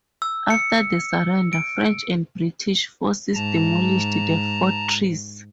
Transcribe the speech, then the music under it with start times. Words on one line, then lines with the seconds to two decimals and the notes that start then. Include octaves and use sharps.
After the surrender, French and British forces demolished the fortress.
0.22 E6
0.50 C#7
1.53 D7
3.34 G#2 A5 A#5